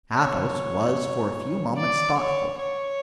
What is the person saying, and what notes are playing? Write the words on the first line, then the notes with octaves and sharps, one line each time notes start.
Athos was for a few moments thoughtful.
C#5
D5
C#5
C#5